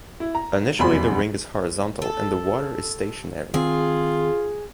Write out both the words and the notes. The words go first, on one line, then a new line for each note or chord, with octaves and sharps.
Initially the ring is horizontal and the water is stationary.
E4
A#5
F1 E2 F#3 B5 C6
A4
D#3 C4 F4 G#4